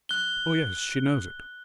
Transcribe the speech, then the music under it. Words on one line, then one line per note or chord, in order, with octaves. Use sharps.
"Oh, yes, she knows it."
F#6 G7